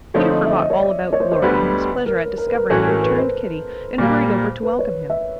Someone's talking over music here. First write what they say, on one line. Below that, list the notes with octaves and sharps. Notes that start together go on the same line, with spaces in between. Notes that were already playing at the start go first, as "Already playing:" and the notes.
Peter forgot all about Glory in his pleasure at discovering the returned Kitty and hurried over to welcome him.
D3 F3 A3 C4 D#4 C#5
D#5
E5
D#5
C#5
D5
C#5
C5
C5
D2 D3 G3 B3 B4
A#4
A#4
B4
A#4
A2 E3 A3 C#4 F#4 A4
A#4
B4
C5
A#2 G3 A#3
B4
C#5
E5